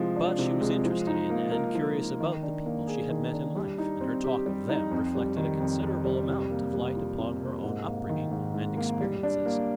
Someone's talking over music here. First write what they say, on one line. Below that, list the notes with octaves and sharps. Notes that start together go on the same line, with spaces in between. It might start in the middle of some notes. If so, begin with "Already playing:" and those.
But she was interested in and curious about the people she had met in life, and her talk of them reflected a considerable amount of light upon her own upbringing and experiences.
Already playing: C3 F3 G#3
D4
C3
G#3
F3
D#4
A#3
A#4
F3
D#4
D#3
D4
A#3
G#4
D#3
D4
G3
D#4
C4
G4
G3
D#4
F2
G3
D#3
F2
F2
G3
C3
A#3
G3
F4
C3
A#3
G#2
A#3
D#3
G#2
G#2
A#3
G3
D4
A#3